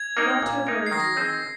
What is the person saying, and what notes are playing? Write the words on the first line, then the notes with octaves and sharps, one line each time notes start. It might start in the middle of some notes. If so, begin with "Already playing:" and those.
He loved her very dearly.
Already playing: G#6
A#3 D#4 A#4
A#2
A#3 D#4 A#4
C7
D#3 A#6
C4 D#4 G#4 C5